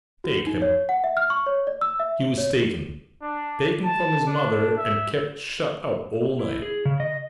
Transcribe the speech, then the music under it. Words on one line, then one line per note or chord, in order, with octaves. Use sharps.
'Take him.' He was taken--taken from his mother and kept shut up all night.
F#4
D#4
C#5
F#5
E5
F6
C#6
C#5
D5
E6
E5
C#5
D4
A5
D4
E5
E4
G#4
C#3
D#5